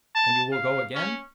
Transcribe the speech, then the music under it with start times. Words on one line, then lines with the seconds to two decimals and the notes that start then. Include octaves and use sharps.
"And you will go again?"
0.15 A5
0.52 F5
0.94 C#4